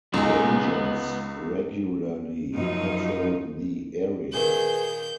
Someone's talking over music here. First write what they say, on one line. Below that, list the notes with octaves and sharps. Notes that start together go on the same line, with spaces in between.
Rangers regularly patrol the area.
C#2 G#3 B3 D#4 A#5
F#2 F3 D#4
A#2 D#3 G#4 B4 G6